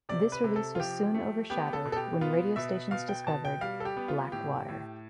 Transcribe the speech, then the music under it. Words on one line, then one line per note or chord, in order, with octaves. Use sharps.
This release was soon overshadowed when radio stations discovered "Black Water".
C3 D5
B4
C3
A4
F4
F3 G4
A3
B3 G4
A4
B2
A4
G4
B3 F4
B2 E5
B2 F5
G5
B2 A5
G5
G3 F5
A4
G4
B3
F4
A2 G4
A2